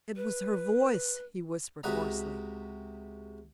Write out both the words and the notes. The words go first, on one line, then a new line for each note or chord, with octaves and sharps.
"It was her voice," he whispered, hoarsely.
B4
C#2 C3 F#4 B4 D#5 A#5